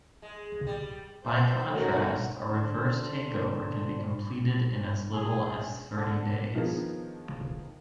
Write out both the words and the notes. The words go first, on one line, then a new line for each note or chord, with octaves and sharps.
By contrast, a reverse takeover can be completed in as little as thirty days.
G#3
G3
B4 C5 E5 G6
G3 A3 C#4 D#4 F#4 A#4
D3 D4 C5
G#4
D3
D#3 F3 B3 D4 G#4 A#4